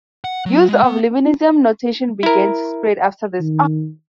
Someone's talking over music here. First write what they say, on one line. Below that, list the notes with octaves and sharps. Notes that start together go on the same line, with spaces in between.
Use of Leibnizian notation began to spread after this.
F#5
F#3
G#3
B3
E4 A#4
D#3